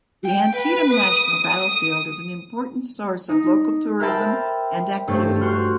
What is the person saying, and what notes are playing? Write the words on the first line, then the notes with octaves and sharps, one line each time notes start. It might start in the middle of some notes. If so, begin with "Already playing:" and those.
The Antietam National Battlefield is an important source of local tourism and activities.
G5
B4
D#6
D#6
D#4
A#4 C5 E5 G5 A5 B5
G2 A3 C5 C#5 A5
F#4 C5 C6 F6